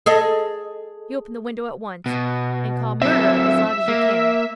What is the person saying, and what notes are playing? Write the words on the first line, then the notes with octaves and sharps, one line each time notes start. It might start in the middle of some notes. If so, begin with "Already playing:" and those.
You open the window at once and call "Murder!" as loud as you can.
G#4 A4 D#5
B2
F#3 C4 E5
A#3